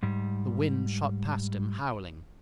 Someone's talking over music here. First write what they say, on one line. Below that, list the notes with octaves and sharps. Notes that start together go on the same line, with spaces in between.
The wind shot past him howling.
G#2 G3